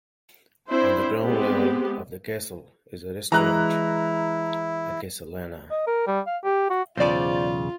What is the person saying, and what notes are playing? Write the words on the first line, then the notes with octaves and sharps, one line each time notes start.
On the ground level of the castle is a restaurant "A Castellana".
C4 D4 E4 C5
G#3 B3 C4 G4
E3 G#3 E4 A#5 F#6
D#5
A#4
G3
F5
G4
F#4
B1 E2 C#3 F4 C5 D5